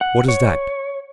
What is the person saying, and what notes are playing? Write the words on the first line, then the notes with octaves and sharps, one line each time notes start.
"What is that?"
F#5
C#5